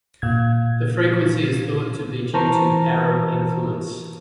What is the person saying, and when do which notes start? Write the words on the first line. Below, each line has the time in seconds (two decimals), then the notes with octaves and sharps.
Their frequency is thought to be due to Arab influence.
0.22 A#2 G#6
2.34 E3 A#4 C5 A5 A#5 C#6